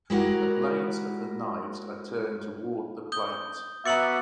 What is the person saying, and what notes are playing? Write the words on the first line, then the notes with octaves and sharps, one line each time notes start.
The blades of the knives are turned toward the plate.
G#3 E4 F#4 G4 A#4 F#5
D#6 G6 G7
B3 F#4 E5 A#5 D6 A6 C#7 F#7